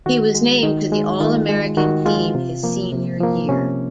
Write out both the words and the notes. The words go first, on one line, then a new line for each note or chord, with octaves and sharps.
He was named to the All-American team his senior year.
D#3 F#4
G#3
D#3 D#4
G#3
D#3 F4
G#3
D#3 F#4
G#3 F4
C3
F3 A#3
C3
F3 A#3
C3 C#4